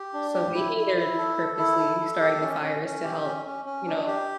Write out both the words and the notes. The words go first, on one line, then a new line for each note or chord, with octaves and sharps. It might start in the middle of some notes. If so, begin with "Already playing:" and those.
so maybe they're purposely starting the fires to help, you know,
Already playing: G4
D4
G4
E4
E4
E4
A4
A4
E4
A4
A4
G4
C#4
C#4
C#4
G4
C#4
C#4
C#4
D4
G4